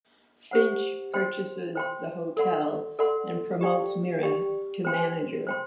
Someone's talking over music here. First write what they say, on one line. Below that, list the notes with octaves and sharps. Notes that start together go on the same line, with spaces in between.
Finch purchases the hotel and promotes Mira to manager.
G4 C5 F#5
C5 G5 C6
C5 G5 C6
A4 D5 F#5 C6
A4 D5 F#5 C6
G4 D5 G5
G4 D5 G5
C5 G5 C6
C5 G5 C6